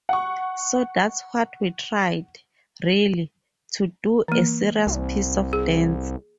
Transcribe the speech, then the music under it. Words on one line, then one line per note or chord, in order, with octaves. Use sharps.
So that's what we tried, really, to do a serious piece of dance.
F#5 C#6
E3 A#3
C2
G#4